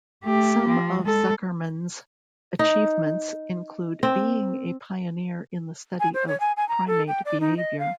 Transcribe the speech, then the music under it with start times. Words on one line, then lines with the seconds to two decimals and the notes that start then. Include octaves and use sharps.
Some of Zuckerman's achievements include being a pioneer in the study of primate behaviour.
0.25 A3 G4
0.68 F3
1.02 G#3 A4
2.59 D#4
4.03 C4
6.00 G#5
6.14 C5
6.28 C#5
6.40 G#5
6.57 G#5
6.69 A#5
6.88 A4
7.08 G5
7.25 D5
7.41 D#4
7.57 D#5
7.79 F5